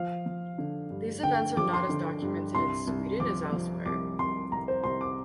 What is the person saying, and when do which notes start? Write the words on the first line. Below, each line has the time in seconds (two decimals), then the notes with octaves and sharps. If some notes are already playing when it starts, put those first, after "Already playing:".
These events are not as documented in Sweden as elsewhere.
Already playing: F3 F5
0.26 F3
0.58 D3
0.90 G2
1.23 D3 G5
1.57 F3 D6
1.73 C6
1.89 D3
2.22 G2
2.55 C2 C6
2.87 C2
3.20 F3 D6
3.53 F3
3.86 C2 D6
4.18 C2 C6
4.52 C2 A#5
4.68 C5
4.84 C2 C6
5.01 D6